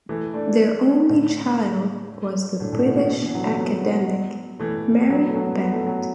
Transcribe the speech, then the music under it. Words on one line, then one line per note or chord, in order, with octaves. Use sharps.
Their only child was the British academic, Mary Bennett.
E3 A3
A3 D4
A2 D3
A2 D3
A2
B2
A2 D3
B2
B2
B2 E3
D3 F#3
E3 A3
F#3 B3
E3 A3
F#3 B3
A3
F#3 B3
B3
A3
F#3